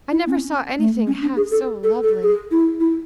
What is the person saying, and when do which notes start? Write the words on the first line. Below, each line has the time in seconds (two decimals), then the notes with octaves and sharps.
"I never saw any thing half so lovely."
0.12 E4
0.27 B3
0.30 C#4
0.79 A3
1.07 C#4
1.22 D4
1.36 G#4
1.51 A4
1.84 A4
2.03 A4
2.23 G#4
2.51 E4
2.80 E4